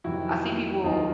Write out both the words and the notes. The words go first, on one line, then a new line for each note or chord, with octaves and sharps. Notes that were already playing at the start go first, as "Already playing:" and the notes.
I see people
F2 C3 D#3 F#3 E4 F#4
D#2 D#3 F#3 D#4 F4